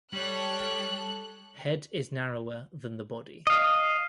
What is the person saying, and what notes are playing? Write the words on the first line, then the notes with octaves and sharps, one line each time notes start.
Head is narrower than the body.
G3 A4 C#5 F#6
D#5 F5